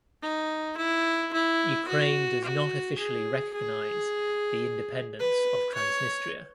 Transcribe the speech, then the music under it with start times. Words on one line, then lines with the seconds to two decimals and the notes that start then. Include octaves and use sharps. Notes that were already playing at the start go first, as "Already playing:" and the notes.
Ukraine does not officially recognize the independence of Transnistria.
0.22 D#4
0.77 E4
1.33 E4
1.88 F#4
2.44 F#4
2.98 G#4
3.54 G#4
5.19 B4
5.75 C#5